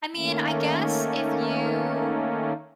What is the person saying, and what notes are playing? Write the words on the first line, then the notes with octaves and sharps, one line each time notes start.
I mean, I guess if you
D#3 A3 A#3 C#4